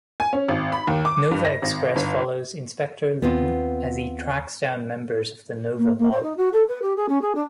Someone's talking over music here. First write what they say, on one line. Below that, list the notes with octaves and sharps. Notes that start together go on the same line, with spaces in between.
"Nova Express" follows Inspector Lee as he tracks down members of the Nova Mob.
G#5
C#4
G#1
B5
D#2
D6
G2
A#6
G#1
G1
D#2 B3 C4 F4
A#3
A#3
C5
D#4
F#4
A4
B4
G4
G#4
C#4
G#4
D4